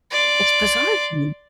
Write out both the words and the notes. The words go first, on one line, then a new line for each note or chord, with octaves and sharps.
It's bizarre to me.
D5 C6